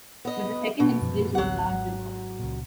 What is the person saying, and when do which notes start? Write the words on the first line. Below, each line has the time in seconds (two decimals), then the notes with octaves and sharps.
But the second incident was larger.
0.25 B3 D#5
0.80 B2
1.01 F#2 A#2 F3
1.35 A1 D2 F#3 C4 F#5
1.69 G#1
2.39 C#2 A#2